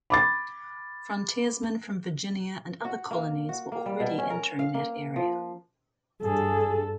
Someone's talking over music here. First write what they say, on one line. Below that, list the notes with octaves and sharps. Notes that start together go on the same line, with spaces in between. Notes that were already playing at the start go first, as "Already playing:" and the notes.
Frontiersmen from Virginia and other colonies were already entering that area.
B5 D6 A6
F#4
A#3
F#4
A#3
G3
B2
C#4
A#4
F5
A#3
F3
G2 G#4 A4